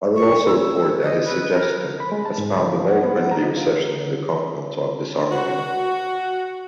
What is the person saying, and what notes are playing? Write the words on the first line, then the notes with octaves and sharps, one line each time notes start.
I will also report that his suggestion has found a very friendly reception in the Conference on Disarmament.
C#6
E6
D#5
B4
A#4
B5
G#3
A5
G#2
D2
F3
F#5
B3
F#5
A#5
D#4
F4
F#4